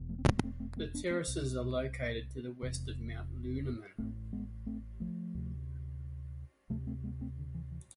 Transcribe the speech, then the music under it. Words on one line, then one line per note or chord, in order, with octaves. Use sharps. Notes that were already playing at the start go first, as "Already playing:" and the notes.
The terraces are located to the West of Mount Lunaman.
Already playing: E1 E2 B2
F3 A3
C4
G#3 B3
B3
A3 C4
A3 C4
A3 C4
B3 D4
A3 C4
C2 C3
E1 E2 C3
A1 A2 A3 C4
G#3 B3
A3 C4
F3 A3
D2 C3
D2 C3 F3 A3
A3 C4
G#3 B3
A3 C4
D3
E3
E3